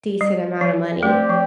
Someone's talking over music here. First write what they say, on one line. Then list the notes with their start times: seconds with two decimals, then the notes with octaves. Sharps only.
decent amount of money
0.21 G3
0.61 F3
1.02 A3 C4 G4 D5 G5
1.29 F3